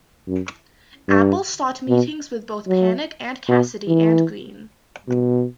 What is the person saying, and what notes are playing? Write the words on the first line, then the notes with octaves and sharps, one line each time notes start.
Apple sought meetings with both Panic and Casady and Greene.
F#2
G2
B2
F#3
B2
E3
B2